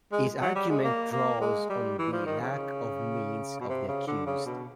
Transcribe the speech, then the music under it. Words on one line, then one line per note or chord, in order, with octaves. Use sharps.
His argument draws on the lack of means of the accused.
G#3
F#3
G3
G#3
A#3
A#3
G#3
G3
E3
F3
D#3
C#3
B2
C3
C#3
D3
C#3
B2